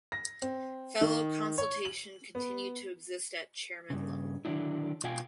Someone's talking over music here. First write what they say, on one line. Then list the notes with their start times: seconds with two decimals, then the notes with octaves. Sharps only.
Fellow consultation continued to exist at chairman level.
0.12 A#6
0.42 C4
1.01 D#3
1.58 C#5
1.85 F#7
2.35 B3
3.90 G2 C#3
4.45 D3 D#3 F#3 G3 D4 E4
5.04 B2 F4 F5 G5 G#5